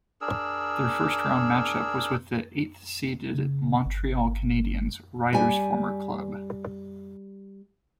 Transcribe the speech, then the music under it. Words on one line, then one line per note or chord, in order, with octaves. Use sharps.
Their first round matchup was with the eighth seeded Montreal Canadiens, Ryder's former club.
D4 G#4 A#4 E6
C#3
G1
G3 G#5